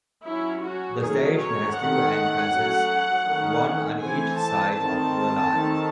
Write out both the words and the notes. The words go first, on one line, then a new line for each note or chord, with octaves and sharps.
The station has two entrances, one on each side of the line.
F#3 C#4 E4
F#4
D#3 F#3 A3 C#4 G#4
C#5
D#3 A3 C#4 F#5
F#3 A3 C#4
D#3 A3 C#4
E3 A3 C4 G#5
A5
D#3 A3 C4 A5
D#3 A3 C4